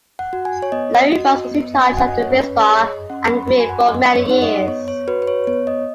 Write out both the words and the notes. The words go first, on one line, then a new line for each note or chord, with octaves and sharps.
Laurie Ross was in charge of the Ritz Bar and Grill for many years.
F#5
F#4
G#5
C#5
B3 D#5
F#4
B3
F#4 G#5
F#5
D#5
C#5
C#4 B4
C#5
G#4
D#5
C#4 F#5
B5
F#4 B5
G#5
F#5
B3 D#5
C#5
D#4 G#4 F#5
D#5
B3 C#5
C#5
F#4 B4
B4
C#5
B3 C#5
D#5